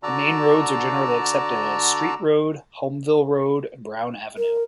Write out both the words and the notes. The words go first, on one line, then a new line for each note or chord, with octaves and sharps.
The main roads are generally accepted as Street Road, Hulmeville Road, and Brown Avenue.
D3 F#4 D5 A5 A#5 E6
A#4